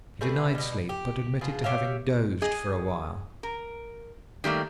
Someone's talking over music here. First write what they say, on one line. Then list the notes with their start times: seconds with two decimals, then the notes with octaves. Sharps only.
He denied sleep, but admitted to having "dozed" for a while.
0.21 G3 A3 G#4 B4
0.55 B2 G3
0.89 G4
1.41 B2 F4 G#4
1.64 G4 C#5 E5 F5
2.42 G#4 D#5
3.43 A#4
4.44 D#3 G3 A3 A#3